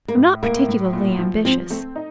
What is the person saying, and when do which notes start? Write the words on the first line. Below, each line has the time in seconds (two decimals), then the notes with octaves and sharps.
I'm not particularly ambitious.
0.08 A#3
0.17 A2
0.43 A2 A#3
0.69 A2
0.93 A#2
1.19 F3
1.45 F3 C4
1.70 A3 C4
1.96 D#4